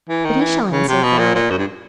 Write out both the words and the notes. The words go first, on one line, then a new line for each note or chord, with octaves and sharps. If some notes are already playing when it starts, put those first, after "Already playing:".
'But he shall answer for it.
E3
D#3
E3
C#3
C3
B2
A#2
A#2
F#2
G2